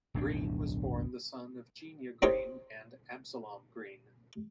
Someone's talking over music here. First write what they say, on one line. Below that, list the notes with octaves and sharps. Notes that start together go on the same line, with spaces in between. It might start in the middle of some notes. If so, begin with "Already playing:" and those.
Green was born the son of Genia Green and Absalom Green.
D1 B1 F2 D4
C4 D#4 G4 A#4 C5 C#5